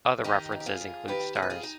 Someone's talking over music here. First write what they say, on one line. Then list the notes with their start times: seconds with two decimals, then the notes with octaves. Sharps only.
Other references include stars.
0.24 D#3 D#4 G4
0.52 F2
0.60 G4
0.66 F4 G#4
0.81 F2
1.08 D#3 G4 B4
1.35 F2 G#4
1.42 B4
1.50 F4 G#4
1.63 D#4